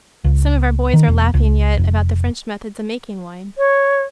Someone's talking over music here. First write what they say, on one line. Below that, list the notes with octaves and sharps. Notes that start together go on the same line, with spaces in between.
Some of our boys are laughing yet about the French methods of making wine.
C#2
D#3
E1
C#2
F1
C#5